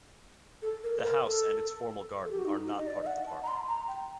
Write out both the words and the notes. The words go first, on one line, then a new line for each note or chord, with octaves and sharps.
The house and its formal garden are not part of the park.
A4
A#4
C5
A#4
A4
A4
G4
F#4
D#4
D#4
D#5
D5
D#5
F#5
A5
A#5
C6
A#5
G5